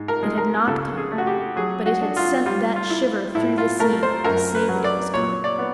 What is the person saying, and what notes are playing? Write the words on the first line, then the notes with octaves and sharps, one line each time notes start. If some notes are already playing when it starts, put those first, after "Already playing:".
It had not come, but it had sent that shiver through the sea to say that it was coming.
Already playing: G#2
A#4
G#3
A#4
C#3 A4
G#4
A3
F#4
G4
F#3 G#4
F#4
D4
F4
G3 F4
F4
E4
A2 E4
F4
A3 A#4
C5
F#2 A#4
B4
F#3
D5
A#2 C#5
D5
B3